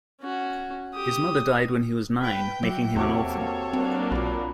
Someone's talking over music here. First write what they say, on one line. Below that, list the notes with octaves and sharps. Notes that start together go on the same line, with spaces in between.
His mother died when he was nine, making him an orphan.
C#4 F#4
G4 D#6
B4 G5
F#3 F#4 E5 D6
E2 C3 A#3 F#4 A4 C#5 D6
F5
F#3 A#3 C4 D4
B1 A#2 B4